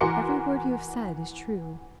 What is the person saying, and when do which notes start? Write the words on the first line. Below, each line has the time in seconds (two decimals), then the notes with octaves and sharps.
Every word you have said is true.
0.01 E3 F#4 A#4 C6 D6 C#7